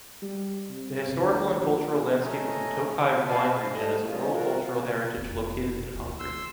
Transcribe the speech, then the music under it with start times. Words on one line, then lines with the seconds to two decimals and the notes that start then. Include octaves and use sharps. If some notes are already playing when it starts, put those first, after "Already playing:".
The historical and cultural landscape of the Tokai wine region is a world cultural heritage located in Hungary.
0.22 G3
0.70 C3
1.18 D2
1.57 A#1
2.23 A3 C#4 D#5 A#5
3.26 C5 D5 E5 F5 G#5 A5
3.53 G#4 C5
3.70 G#2 G3 A3 D#5
4.06 F3 G3 G#3 C#4 F4
4.31 G3 F4 F#4 A#4
4.65 C#3 F#4
5.17 F1 E2
5.94 D2 E3
6.19 C6 E6